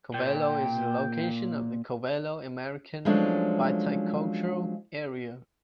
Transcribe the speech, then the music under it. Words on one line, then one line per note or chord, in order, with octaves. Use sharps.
Covelo is the location of the Covelo American Viticultural Area.
A#2 G5
F3 F#3 G#3 A3 C#4 D4